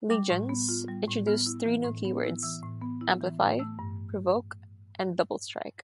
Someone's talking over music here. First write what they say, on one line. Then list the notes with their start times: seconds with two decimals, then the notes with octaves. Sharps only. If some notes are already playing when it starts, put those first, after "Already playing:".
"Legions" introduced three new keywords: amplify, provoke, and double strike.
0.10 G3 D6
0.30 A2
0.49 B3
0.69 F4
0.88 G3
1.07 A2
1.27 B3 F6
1.46 E4
1.66 E3
1.85 A2
2.05 B3
2.24 E4
2.43 E3 E6
2.62 A2
2.82 B3
3.01 E4
3.21 E3
3.40 A2
3.59 A3 E6
3.79 G2